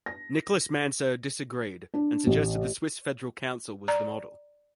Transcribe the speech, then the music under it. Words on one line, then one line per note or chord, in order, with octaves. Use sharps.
Nicholas Mansergh disagreed and suggested the Swiss Federal Council was the model.
A#6
D4
A1
D5 A#5